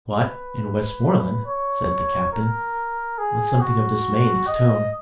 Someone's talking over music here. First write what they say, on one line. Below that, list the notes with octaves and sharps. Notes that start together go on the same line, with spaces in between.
"What, in Westmoreland!" said the Captain, with something of dismay in his tone.
B4
C#5
A#4
G#4
F#4
D#5